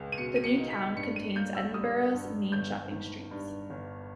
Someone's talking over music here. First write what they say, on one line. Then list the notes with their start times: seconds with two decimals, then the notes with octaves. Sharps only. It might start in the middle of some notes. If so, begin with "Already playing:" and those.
The New Town contains Edinburgh's main shopping streets.
Already playing: C#2 G#3
0.12 D#7
0.18 B2 C#7
0.36 D#7
0.44 C#7
0.57 D#4
0.70 B6
0.96 G2 C#7
1.16 D#7
1.35 A#3 G6
1.55 E6
1.74 G3 D#6
2.13 G2
2.52 G1 G6
2.92 D#3
3.31 G2
3.70 G1